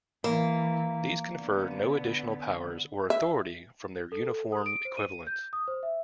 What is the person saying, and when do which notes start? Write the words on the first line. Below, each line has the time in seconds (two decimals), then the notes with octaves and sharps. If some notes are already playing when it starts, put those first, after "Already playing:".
These confer no additional powers or authority from their uniform equivalents.
0.24 E3 A#3
1.36 D3 B3
3.10 E5
4.12 A4
4.29 A4
4.52 D#6
4.66 D7
4.85 C5
4.97 D#7
5.27 G6
5.53 D#6
5.68 C5
5.83 E5